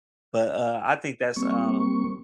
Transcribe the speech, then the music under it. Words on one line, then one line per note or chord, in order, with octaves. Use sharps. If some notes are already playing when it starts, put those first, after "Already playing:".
But, uh, I think that's, um,
G3 A#3 C4 C#6